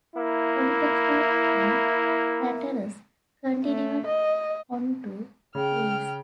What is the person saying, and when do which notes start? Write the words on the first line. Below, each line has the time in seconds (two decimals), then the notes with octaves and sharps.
Polyperchon and Craterus continued onto Greece.
0.16 A#3 E4
3.65 A3
4.07 D#5
5.55 C#3 G5 F6